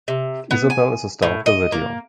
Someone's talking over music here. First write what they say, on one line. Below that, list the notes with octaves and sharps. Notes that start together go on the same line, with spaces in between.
Isabel is the star of the video.
C3
B3
G#5
A2
D#5
A#3